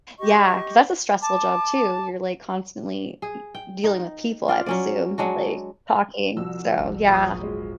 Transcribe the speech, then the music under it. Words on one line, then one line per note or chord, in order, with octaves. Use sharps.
Yeah, 'cause that's a stressful job, too. You're, like, constantly e dealing with people, I'd assume, like, talking, so, yeah.
G4 D#5 C#6
A5 D6
G#4
G5
D#4
F4 D5
F#3 C#4 D5
F#3 G#3 D4 F#4
C2 F3 F#4 E6
D#1 G#1
A#1 B5 D#6
F#3 G#3